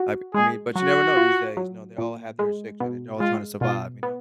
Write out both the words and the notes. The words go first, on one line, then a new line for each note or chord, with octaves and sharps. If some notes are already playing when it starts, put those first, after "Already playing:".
I I mean, but, you never know these days, you know? They all have their restriction, and they're all trying to survive, you know?
Already playing: F#4
G#3 G#4
F#3 F#4
F4
F#3
A#2
G#3
B2
G#3 F4
B2 F4
B3